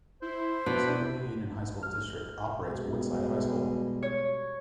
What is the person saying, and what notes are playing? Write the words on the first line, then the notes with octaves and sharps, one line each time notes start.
The Sequoia Union High School District operates Woodside High School.
E4 C5
B2 D4 B4
F6
B2 G3 G#3
C#5